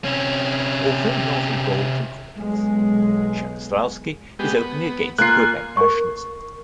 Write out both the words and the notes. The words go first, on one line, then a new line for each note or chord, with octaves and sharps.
Although not involved in politics, Jarislowsky is openly against Quebec nationalism.
C3 C#4
B1 G#3
G#3 B3 G4
B3
A#3 F4 G#5 F#6 C7
A#4 C#6